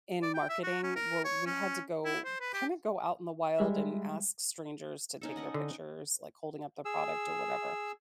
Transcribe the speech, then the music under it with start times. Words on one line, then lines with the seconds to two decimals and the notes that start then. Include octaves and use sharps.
in marketing, where we had to go kinda go out in the wild and ask strangers to take their pictures, like, holding up the product or whatever.
0.22 D5
0.34 G5
0.49 E5
0.63 F#4
0.83 C#4
0.96 A#4
1.25 C#5
1.46 C#4
2.05 E4
2.25 C5
2.40 B4
2.54 G4
3.59 G3 G#3 E5
5.21 C#4 D#4 A4
5.36 C#4 D#5 F#5
5.54 D3
6.85 G#4 E6